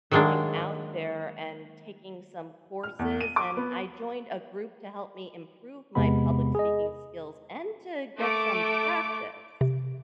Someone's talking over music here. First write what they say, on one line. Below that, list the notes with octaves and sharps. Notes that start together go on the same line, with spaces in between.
going out there and taking some courses, and I joined a group to help me improve my public speaking skills, and to get some practice.
D#3 F#3 G#3 A#3 D4
F6
E2
D#7
D6
B3
E2 C3 G#3 B3 B5
G#4 D#5
A3 D6 D7
C3